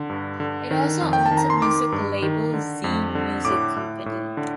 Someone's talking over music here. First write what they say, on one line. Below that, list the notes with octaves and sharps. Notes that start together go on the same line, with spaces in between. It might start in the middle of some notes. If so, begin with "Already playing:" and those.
It also owns a music label, Zee Music Company.
Already playing: D3
G2
D3
D#3
F2
G5
A5
D#3
A#5
C6
D#3 D6
G2
D#3
D3
F2
D3
A2 D6
A2
A2
D3